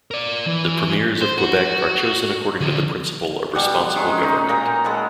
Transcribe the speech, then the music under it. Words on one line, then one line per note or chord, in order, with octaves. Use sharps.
The Premiers of Quebec are chosen according to the principle of responsible government.
A#4 D5
E3
C5
F#4
D3 F3
B2 G3 F#5
D#3 G#3 C#4
D#4
A#2 A#4 A#5
G#3 A4 F#5 B5